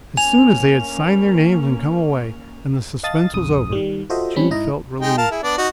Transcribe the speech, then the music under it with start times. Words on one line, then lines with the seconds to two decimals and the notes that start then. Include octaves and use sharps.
As soon as they had signed their names and come away, and the suspense was over, Jude felt relieved.
0.17 A#3 C#4 G#5 F7
3.03 D#5 F5 A5 D#6 A6
3.34 B1 F2 D#6
3.72 D#3 G3
4.10 F4 F#4 A4 C5 D#5 E5
4.36 G3 C4 C#4 B5
4.51 G#2 E4 D#5 A#5
5.00 G#3 D#4 G5
5.18 A#4 F5 A5
5.31 E4 G#4
5.43 B3 D4 D5
5.58 D#4 F#4